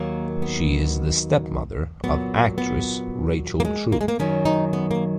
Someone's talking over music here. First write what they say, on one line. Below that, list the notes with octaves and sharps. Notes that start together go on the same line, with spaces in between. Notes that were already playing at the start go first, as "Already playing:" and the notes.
She is the stepmother of actress Rachel True.
Already playing: D#2 D#3 F#3 A#3
B3
A#2 F#3 B3
B3
A#3
G#3
A#3
G#3
A#3
F#2 D#3 F#3 C#4
D#4
B3
A#3